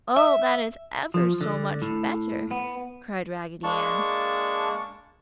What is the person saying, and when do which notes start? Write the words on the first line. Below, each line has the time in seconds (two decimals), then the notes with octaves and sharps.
"Oh that is ever so much better!" cried Raggedy Ann.
0.17 E5
1.14 F3
1.41 D3
1.82 A2
2.51 B3
3.64 G#3 A#3 D4 A5 C#6